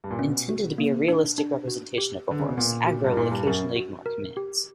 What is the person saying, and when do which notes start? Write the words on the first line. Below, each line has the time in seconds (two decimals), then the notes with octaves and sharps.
Intended to be a realistic representation of a horse, Agro will occasionally ignore commands.
0.04 G2
0.11 A#2
0.19 B2 C#4
0.49 F#4
0.78 A#3
1.08 D4
1.38 D4
1.68 F#4
1.98 G4
2.28 D3 B4
2.40 C#3
2.49 B2
2.57 A#2 B3
2.86 F#4
3.04 G2
3.17 A#2 E4
3.31 G2
3.47 F#2 A#4
3.76 F#4
4.06 A#4
4.37 G4